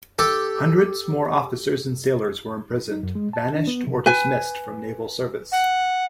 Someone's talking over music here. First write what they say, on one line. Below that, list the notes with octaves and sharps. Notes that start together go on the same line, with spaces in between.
Hundreds more officers and sailors were imprisoned, banished or dismissed from naval service.
G4 A4
D#4
F#2
G#3
A5
D4
B3
C3
B4 G#5
F#5